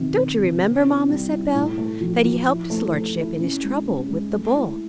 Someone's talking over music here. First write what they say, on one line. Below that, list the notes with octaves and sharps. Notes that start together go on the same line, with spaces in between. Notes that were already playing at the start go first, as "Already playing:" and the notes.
"Don't you remember, mamma," said Bell, "that he helped his lordship in his trouble with the bull?"
Already playing: C3 D#3 F#3 B3
C3
C3
C4
E4
G3
E4
A2
A3
F3
F3
E4
A3
A3
E4
C#4
G#3
C#4
G#3
A3
E4